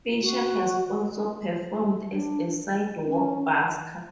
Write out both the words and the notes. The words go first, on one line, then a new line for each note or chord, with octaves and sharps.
Fisher has also performed as a sidewalk busker.
F#4
D4
C#4